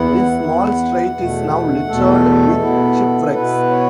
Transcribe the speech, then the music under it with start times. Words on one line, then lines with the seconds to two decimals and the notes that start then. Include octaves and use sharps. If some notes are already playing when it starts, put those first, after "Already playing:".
This small strait is now littered with shipwrecks.
Already playing: E2 E3 B3 E4 F#5
0.42 E2 E3 B3 E4
1.16 E2 B2 A3
1.88 E2 B2 A3 A4
2.61 B2 B3 E4
3.34 B2 B3 E4 B4
3.71 C#5